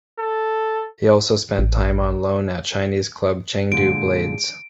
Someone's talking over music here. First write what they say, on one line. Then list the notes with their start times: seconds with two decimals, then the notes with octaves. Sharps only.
He also spent time on loan at Chinese club Chengdu Blades.
0.19 A4
1.59 A1
3.72 A#2 D3 G#3 D7